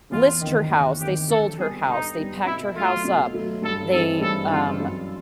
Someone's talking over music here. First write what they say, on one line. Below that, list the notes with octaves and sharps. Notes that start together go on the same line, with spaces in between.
list her house. They sold her house. They packed her house up. They, um,
E2 F4
C3 D#3
E2 F#4
C3 D#3 G4
D3 A4
G3 B3 G#4
D3 D#4
G3 B3
B2 E4
F#3 A3 F4
B2
F#3 A3
G2 A4
E3 G#3 C4 A4
G2 A4
E3 G#3 C4 F4
F#2